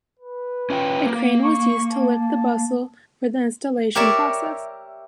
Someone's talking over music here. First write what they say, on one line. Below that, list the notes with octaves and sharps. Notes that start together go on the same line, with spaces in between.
A crane was used to lift the bustle for the installation process.
B4
C#4 F4 G5
A#3
C#6
A5
G4 A#4 C#5 D5 E5